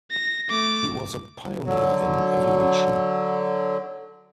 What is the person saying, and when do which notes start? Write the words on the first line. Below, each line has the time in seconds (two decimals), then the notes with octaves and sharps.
He was a pioneer in aviation.
0.11 A#6
0.49 A3 D6
1.65 D3 F#3